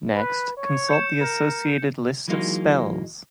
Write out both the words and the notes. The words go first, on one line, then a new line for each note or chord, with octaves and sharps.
Next, consult the associated list of spells.
B4
C#5
G6 C#7 E7
A#4
E3 F#3 G#3 A#3 D#4 F4